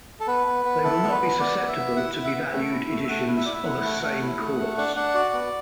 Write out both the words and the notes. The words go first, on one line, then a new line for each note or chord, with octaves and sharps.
They will not be susceptible to be valued editions of a same course.
A4
B3 B4
B3
B3
E4 A4
B3
B4
B3
B3 D5
B3
E5
B3
E4 F#5
E4
E5
B3
A3
E4
A3
E5
A3 F#5
E4
E5
E4 D5
E5
E4 F#5
A3
A3
E4
A3
A3
D4 F#5
D4 F#5
F#4 D5
B3